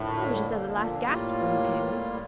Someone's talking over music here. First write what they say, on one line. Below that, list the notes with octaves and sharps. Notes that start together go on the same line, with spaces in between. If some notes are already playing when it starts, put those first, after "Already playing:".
I was just at the last gasp when you came in.
Already playing: F2 A2 D3 F3 A#3 D4
A#2
A2 G3 A#3 F4